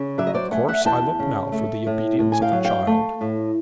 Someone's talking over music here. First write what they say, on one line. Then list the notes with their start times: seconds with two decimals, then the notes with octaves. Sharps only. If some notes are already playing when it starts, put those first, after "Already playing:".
Of course I look now for the obedience of a child.'
Already playing: C#3
0.18 F#3 D5 E5
0.27 D#5
0.35 C5 D5
0.51 A3 F#5 G#5
0.68 E5 F#5
0.85 E2 G5 A5
1.19 C#3
1.52 A3
1.87 A2
2.19 A2
2.32 G#5
2.42 F5 G5
2.53 F#3
2.64 F5 G5
2.87 A3
3.21 A2